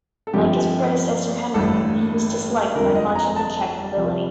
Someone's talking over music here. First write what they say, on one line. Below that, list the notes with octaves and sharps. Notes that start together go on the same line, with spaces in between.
Like his predecessor Henry, he was disliked by much of the Czech nobility.
A4
G2 D3 F3 C4 G4
A1 G2 D3 A4
G1 F2 D3 A#4
D#5
A#5
A5
C2 C3 F3